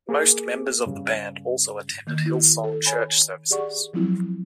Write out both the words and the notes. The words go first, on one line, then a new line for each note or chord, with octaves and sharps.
Most members of the band also attended Hillsong Church services.
A#3 G#4
G2 C#3
D#3 A#3 G6
E4 G4
A4
C#5 G#5 B5
G4 G#4 D5 F#5 C#6
F3 F#3 G#3 C4 E4 F4